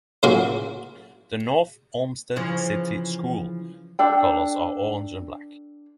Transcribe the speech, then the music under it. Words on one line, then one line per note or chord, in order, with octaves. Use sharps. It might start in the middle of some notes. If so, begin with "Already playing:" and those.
The North Olmsted City School colors are orange and black.
A2 C#3 F#3 A#3 F4 F#4
C#3 E3 F3
D4 A4 G5